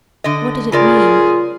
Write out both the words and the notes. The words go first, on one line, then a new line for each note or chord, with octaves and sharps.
What did it mean?
D3 D#5
C#3 F4 G#4 A#4 D5